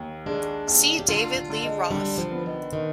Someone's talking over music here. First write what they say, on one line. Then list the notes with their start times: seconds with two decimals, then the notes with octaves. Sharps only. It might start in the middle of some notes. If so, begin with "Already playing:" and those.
See David Lee Roth.
Already playing: D#2
0.26 G#3 D4
0.67 D#2
0.99 G4
1.08 D3 F4
1.36 F4
1.50 D3
1.63 G#3
1.91 D3 G3
2.18 F3
2.32 B3
2.46 D#3
2.73 D#3